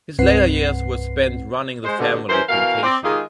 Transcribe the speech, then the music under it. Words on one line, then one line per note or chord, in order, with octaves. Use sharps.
His later years were spent running the family plantation.
C2 G2 C4 B4 F#5 C7
G#3 C5
G2 B2 D3
E3 C#4 A#4 C5
B2 E3 A#4 F5
C4 D5
D#3 G#3 D#4 F4 G4 G#4